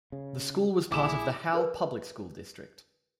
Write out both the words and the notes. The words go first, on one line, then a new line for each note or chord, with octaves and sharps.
The school was part of the Howell Public School District.
C#3
A#1 E4 G#4 D6 E7
F4 G4 G#4 A#4 B4 D5